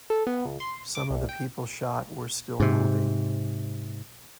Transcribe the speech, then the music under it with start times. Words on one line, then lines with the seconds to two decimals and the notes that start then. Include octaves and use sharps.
Some of the people shot were still moving.
0.10 A4
0.27 B3
0.45 C#2
0.60 C6
0.95 D6
1.10 C2
1.29 G5
2.60 G#2 C3